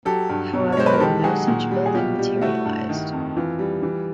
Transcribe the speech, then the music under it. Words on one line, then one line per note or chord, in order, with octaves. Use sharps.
However, no such building materialised.
F#3 G4 A4
G2
B2
C#5
G#3 C5
B4
A#4
D#3 G4 A4
F#3 F#4 G#4
A#2
G3
G#4
B2 F4 G4
G3
A3 E4 F#4
G2
D#3
F2
E3 F4
G3
E3